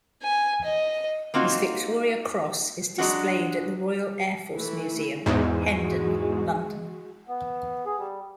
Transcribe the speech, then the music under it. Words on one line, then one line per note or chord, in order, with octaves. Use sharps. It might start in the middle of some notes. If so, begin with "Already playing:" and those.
His Victoria Cross is displayed at the Royal Air Force Museum, Hendon, London.
G#5
D#5
A#3 C4 D#4 F4 F#4
F#3 G#3 D4 F#4
E3 A3 E4
E2 G#2 G#3 F#4
B3
G#4
G3